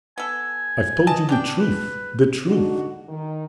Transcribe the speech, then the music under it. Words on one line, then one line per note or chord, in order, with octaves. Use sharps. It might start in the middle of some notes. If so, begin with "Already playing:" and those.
I've told you the truth, the truth.
B3 A4 G#5
D#5 G#5 A5
B3 D4 G5
B4
D3 D4 D#4 F#4
D#3